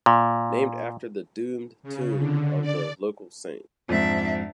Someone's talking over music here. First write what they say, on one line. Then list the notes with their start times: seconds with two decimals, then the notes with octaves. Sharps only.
Named after the doomed tomb of the local saint.
0.06 A#2
1.83 C#3
2.17 D3
2.61 D5
3.89 F2 G#2 D4 E5